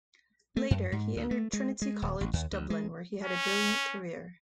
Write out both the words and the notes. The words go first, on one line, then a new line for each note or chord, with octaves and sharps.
Later he entered Trinity College, Dublin, where he had a brilliant career.
A3
F#2
G#2
D2
A3
G#3
G#3
D#1
A1
D#2
D2
G#3
C#4